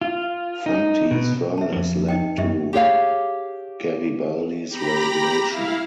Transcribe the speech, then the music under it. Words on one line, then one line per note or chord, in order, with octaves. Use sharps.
Fanti's firmness led to Garibaldi's resignation.
F4
D#4
B2
E5 A5
F2 F3
D#4 D#5 G5
F#2 G4 D#5 E5
G4 G#4 C#5 F5
G4 A#5 B5 A#6
E4 F5